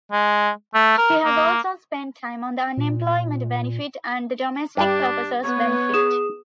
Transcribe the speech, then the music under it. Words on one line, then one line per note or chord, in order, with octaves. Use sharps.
She has also spent time on the unemployment benefit and the domestic purposes benefit.
G#3
A3
A#4
A#3
A#2
G2 G3 D4 G4
B3 B4 C#5
G#4 D#6 E7